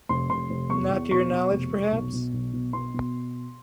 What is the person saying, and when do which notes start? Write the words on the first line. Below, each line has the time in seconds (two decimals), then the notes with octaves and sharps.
Not to your knowledge, perhaps?
0.09 F1 C6
0.30 F1 C6
0.50 F1
0.70 E2 C#6
0.90 E2
1.11 B2 C#6
1.31 B2
1.52 F1
1.72 F1
1.92 B1
2.13 B2
2.33 B1
2.53 B2
2.73 B2 C6
2.94 B2